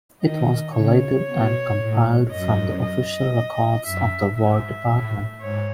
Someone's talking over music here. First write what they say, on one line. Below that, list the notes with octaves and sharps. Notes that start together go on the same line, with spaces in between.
It was collated and compiled from the Official Records of the War Department.
D#3 D#5
C#3 C#5
B2
A2
F#2 D#5
D#5
F#2 E5
G#2 E5
A2
G#2 C#5